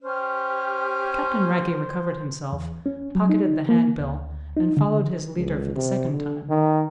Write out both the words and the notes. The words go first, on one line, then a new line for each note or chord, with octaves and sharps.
Captain Wragge recovered himself, pocketed the handbill, and followed his leader for the second time.
C#4 G4 C5 F6
E2
C#4
F#3
D#4
A#3
D2
D#4
D3
C#2
C3
D3
D#3